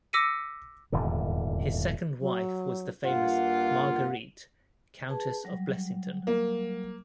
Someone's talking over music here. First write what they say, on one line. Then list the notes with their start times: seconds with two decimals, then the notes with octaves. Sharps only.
His second wife was the famous Marguerite, Countess of Blessington.
0.13 D6 E6 A#6 B6 C#7 D#7
0.92 D#1 E2 G#2 D3
2.21 F#3
3.04 G2 A#3 F4 F#5
5.08 G#4 B4 A5
5.45 F#3 G3
6.27 A#3